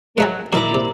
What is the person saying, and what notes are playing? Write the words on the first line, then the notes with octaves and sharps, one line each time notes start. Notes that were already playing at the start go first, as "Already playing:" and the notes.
Yeah, they just
G#2 F#3 D#4 E5
A#2 D#3 F#3 A#3 E4 D5 A#5
C3